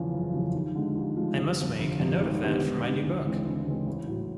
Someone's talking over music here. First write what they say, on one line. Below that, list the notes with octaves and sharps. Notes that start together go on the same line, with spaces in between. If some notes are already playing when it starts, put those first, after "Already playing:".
I must make a note of that for my new book.
Already playing: E2 C#3 F3
F#1
E2 C#3 F3
D#2
D3 F3 G#3
D#2
D3 F3 G#3
G1
F2 C3
G1
F2 C3
G#1
G2 D3 G3 B3
G#1
G2 D3 G3 B3
D2
C#3 E3 G#3 C4
D2
C#3 E3 G#3 C4
A1
A2 F#3